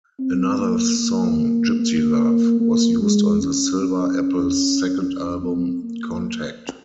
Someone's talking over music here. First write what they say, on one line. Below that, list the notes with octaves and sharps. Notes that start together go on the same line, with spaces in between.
Another song, "Gypsy Love", was used on the Silver Apples' second album, "Contact".
C4
A#3
A#3
A#3
A#3
G#3
C#4
C#4
C#4
C4
A#3